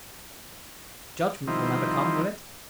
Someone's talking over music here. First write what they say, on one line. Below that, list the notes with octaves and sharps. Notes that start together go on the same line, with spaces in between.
Judgment will never come, will it?
D#3 F3 G3 C4 D#4 E4